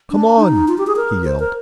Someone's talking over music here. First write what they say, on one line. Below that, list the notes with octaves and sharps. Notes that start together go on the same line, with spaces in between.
"Come on!" he yelled.
D4
D#4
F4
G4
G#4
A#4
C5
A#4